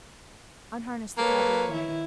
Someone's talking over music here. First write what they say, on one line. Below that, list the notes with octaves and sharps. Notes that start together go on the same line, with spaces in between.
Unharness the cabriolet.
A#3 A4 B4 C#5
D#3 E4